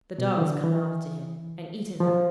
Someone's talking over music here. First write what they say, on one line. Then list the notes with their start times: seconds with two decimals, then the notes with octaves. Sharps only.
The dogs come after him, and eat it up.
0.18 B2
0.38 E3
0.41 D3
0.64 E3
2.00 F3